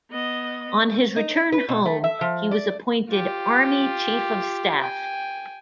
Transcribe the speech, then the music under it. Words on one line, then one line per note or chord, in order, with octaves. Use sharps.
On his return home, he was appointed Army Chief of Staff.
B3 D#5
D#4
B4
B2
A3
E5
F3
D5
F4 G4
G5 G#5